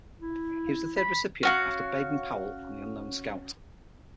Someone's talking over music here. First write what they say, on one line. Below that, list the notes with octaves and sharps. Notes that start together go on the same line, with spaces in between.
He was the third recipient, after Baden-Powell and the Unknown Scout.
E4
B5
C#4 F#4 F5